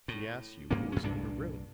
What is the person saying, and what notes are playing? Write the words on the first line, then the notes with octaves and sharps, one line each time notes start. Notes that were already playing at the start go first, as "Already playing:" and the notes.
She asked you who was in your room.
A2
G2 A#3 C#4
F#2 C#4
C2 G2 A#2 D4